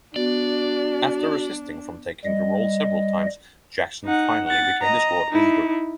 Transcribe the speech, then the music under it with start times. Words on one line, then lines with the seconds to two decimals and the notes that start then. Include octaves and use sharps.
After resisting from taking the role several times, Jackson finally became the squad leader.
0.16 B3 D4 F#4 D5
2.25 G3 D#5
4.05 D#4 F#5
4.47 F#5 A6
4.82 D#5 A#5
5.30 D#4 E4